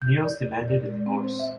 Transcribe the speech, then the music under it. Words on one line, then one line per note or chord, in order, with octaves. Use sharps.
Niels demanded a divorce.
G6
D5
D5
A#2
D5
G#3
C4
C5
E5